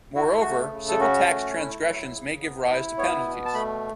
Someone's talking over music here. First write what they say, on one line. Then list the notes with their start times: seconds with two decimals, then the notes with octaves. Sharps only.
Moreover, civil tax transgressions may give rise to penalties.
0.15 E4 F#4
0.27 E4
0.40 A3 F#4
0.72 C#3
0.89 A4
0.99 C#4 F#4
1.27 A3
1.56 E4
1.84 F#3
2.13 C#3
2.40 B3
2.69 E4
2.98 B3 C#5
3.26 B2
3.45 A5
3.54 A3 B5